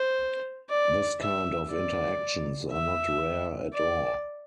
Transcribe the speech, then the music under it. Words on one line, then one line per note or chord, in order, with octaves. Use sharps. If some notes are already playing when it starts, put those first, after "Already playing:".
This kind of interactions are not rare at all.
Already playing: C5
D5
E5
D5
E5
D5